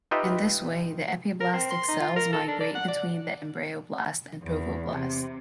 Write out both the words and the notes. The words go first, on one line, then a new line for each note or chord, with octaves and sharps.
In this way the epiblastic cells migrate between the embryoblast and trophoblast.
D#4 F4 G4 B4 D#5 E5
A#4
C4
C6
D#4
F4
A#4
A4
D4
D5
F#5
D5
E2
C3